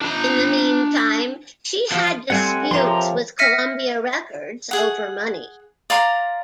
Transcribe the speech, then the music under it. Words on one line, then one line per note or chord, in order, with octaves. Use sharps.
In the meantime, she had disputes with Columbia Records over money.
D4 A#5
F3
G3 A3 C4 E4 F#5 G#5
C3 F3 A#4 C#5 A#5 C6
E5 F6 A#6 B6 C#7 D#7
G#4 F#5
D5 F5 A#5 C6